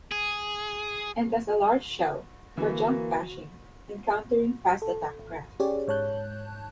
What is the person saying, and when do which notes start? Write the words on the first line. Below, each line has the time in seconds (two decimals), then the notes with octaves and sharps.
And as a 'large shell' for junk bashing and countering fast attack craft.
0.11 G#4
2.57 D3 E3 A#3 F#4
4.82 A4
5.19 G#1
5.60 C#4 G4 G#4 C#5 D5
5.88 G#2 C#5 A5 F#6 G6